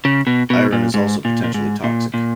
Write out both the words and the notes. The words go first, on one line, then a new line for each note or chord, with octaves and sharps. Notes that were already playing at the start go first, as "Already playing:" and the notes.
Iron is also potentially toxic.
C#3
B2
B2
A#2
G#2
A#2
A#2
G#2
A#2
A#2